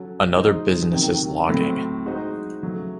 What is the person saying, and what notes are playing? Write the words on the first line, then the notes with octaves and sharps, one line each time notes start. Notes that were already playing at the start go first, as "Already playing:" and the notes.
Another business is logging.
Already playing: F#3 C#4 F#4 A4 C#5
G#3 D#4 F#4 C5 D#5
C3 D#3 F#3
A2 F#3 A3 C4
G#3 D#4 F#4 C5 D#5
C#3 F#3 A3